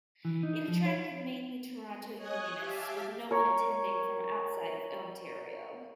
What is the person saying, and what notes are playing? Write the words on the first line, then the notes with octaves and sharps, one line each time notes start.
It attracted mainly Toronto unionists with no one attending from outside of Ontario.
E3
D#4
F3
C#5
C#5 D#5 G#5 D#6 F#6 G#6
G4 E5 F5 G#5 A5 D6
A#4 C#5